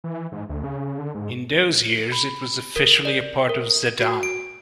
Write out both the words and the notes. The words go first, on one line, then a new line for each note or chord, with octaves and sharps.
In those years it was officially a part of Zeddam.
E3
G#2
D2
C#3
D3
G#2
B5
A#4
D5
A#4
F#4
D7